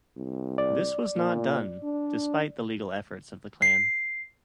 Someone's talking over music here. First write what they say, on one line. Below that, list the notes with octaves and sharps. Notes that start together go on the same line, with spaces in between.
This was not done, despite the legal efforts of the clan.
C2
D5
A#2
D4
C7